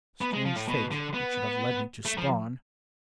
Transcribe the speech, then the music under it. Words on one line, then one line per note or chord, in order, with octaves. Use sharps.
Strange fate that should have led me to Spawn!
B3
G#3
F3
A2
B2
D3
B3
A3
F3